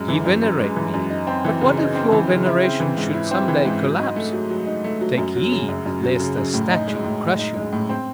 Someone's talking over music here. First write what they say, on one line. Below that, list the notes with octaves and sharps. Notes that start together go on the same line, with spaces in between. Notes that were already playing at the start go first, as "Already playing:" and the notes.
Ye venerate me; but what if your veneration should some day collapse? Take heed lest a statue crush you!
Already playing: F#2 G#3
E3
F#2
F#2
G#3
E3
F#2
D#4
C4
E3
C#3
D#4
C4
E3
C#3
E4
C4
E3
G#2
E4
C4
E3
G#2
F#3
D#4
A3
F#3
F#3
D#4
A3
F#3
F#2
F#3
C#3
F#2
F#2
F#3
C#3
F#2
A2
D#4
G#3
A2
A2
D#4
G#3
A2
C4